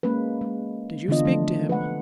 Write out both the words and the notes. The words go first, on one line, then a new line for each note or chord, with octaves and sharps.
"Did you speak to him?"
G#3 A#3 C#4 B4
G#3
D3 E3 B3 D4 F4 D#5
D#3 F3 A3
B4 F#5